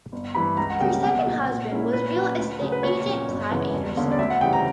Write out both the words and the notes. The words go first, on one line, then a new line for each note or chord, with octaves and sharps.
Her second husband was real estate agent Clive Anderson.
G1
G2 E3 G3 B5
C#2 A#5
F#5
C#3 G3 A#3 G5
B1 F#5
A#2 F#3
A#2
A#3 C#4 E4
A#2 B4
F#3 C#4
D2
C#3 F#3
B4
A#1 C#5
A#2 F#3 C#4
G1
F#2 C#3 E3 B3
E1
E2 D3 A#3 C#4
D5
D2 E5
F#5
C#3 E3 G3 G5
A#5